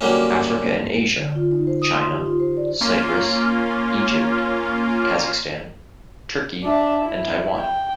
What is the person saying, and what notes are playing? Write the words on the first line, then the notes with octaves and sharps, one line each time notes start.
Africa and Asia: China, Cyprus, Egypt, Kazakhstan, Turkey and Taiwan.
D3 F#3 G3 A#3 C#4
D3
F4
D#4
C5
D#6
C6
G4
F4
C5
D5
A#3 C#4 F4
D4 E5
E4
G5